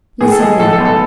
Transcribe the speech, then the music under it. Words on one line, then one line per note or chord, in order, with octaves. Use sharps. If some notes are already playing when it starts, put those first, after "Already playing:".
Listen now.
A2 G#4
A4
G#3 G#4
A2 A4
A4
B1
A4